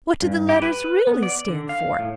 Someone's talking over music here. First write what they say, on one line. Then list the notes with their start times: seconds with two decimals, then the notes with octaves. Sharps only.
"What do the letters really stand for?"
0.22 G2
0.49 G4
0.62 B4
1.07 B3
1.23 D5
1.48 D3
1.69 F5
1.99 A2